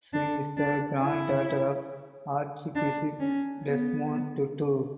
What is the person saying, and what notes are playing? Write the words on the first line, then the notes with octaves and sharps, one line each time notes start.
She is the granddaughter of Archbishop Desmond Tutu.
D4
D4
E4
D4
C#4
B3